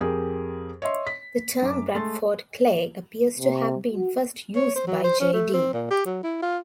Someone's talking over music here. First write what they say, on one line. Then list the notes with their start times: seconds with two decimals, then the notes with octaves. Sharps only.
The term "Bradford Clay" appears to have been first used by J. de.
0.01 F2 G4 G#4 A#4
0.82 C#5 D#5 E5 C6
1.07 B6
1.62 F#2 D6
1.94 G#3 A3 C6 A6
3.39 C3
3.94 F#4
4.56 C#5
4.76 C5
4.87 F#3
5.04 C5
5.20 C#4
5.33 A3
5.53 C4
5.73 A#2
5.91 G4
6.06 F#3
6.23 E4
6.42 F4